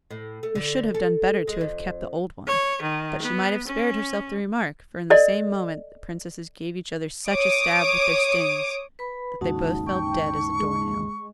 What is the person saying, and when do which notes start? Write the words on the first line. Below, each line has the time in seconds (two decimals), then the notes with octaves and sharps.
"We should have done better to have kept the old one." But she might have spared herself the remark, for in the same moment the Princesses gave each other such a stab with their stings that they both fell dead as a door-nail.
0.11 A2
0.43 A3
0.55 D3
0.94 A4
1.47 G#3
1.61 F2
2.47 C#5
2.82 D#3
3.22 B3
3.67 C#4
5.10 A4 D5 D#5
7.28 C#5 D6 D#6 D7
8.99 B4 B5
9.41 D#2 G#2 C#3 D#4 F#4 A5
9.87 G5 C#6
10.60 G#3